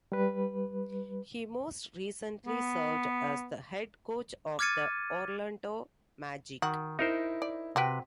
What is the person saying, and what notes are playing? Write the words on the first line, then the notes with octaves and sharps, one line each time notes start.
He most recently served as the head coach of the Orlando Magic.
G3 B4
B3
D6 F6 G#6 A6 C#7 D#7
D#3 F#4
D#4 E4 A#4 C5
D5
C3 C4 F#4 B4 G5